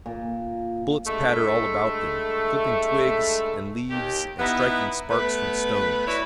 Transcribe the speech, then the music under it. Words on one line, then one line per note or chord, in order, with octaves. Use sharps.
Bullets pattered all about them, clipping twigs and leaves and striking sparks from stones.
A#2
G2 G#3 A3
D#2 G4
B3 D#4 E4 B4
A3 B3 B4
E4 F#4 B4 C#5 D5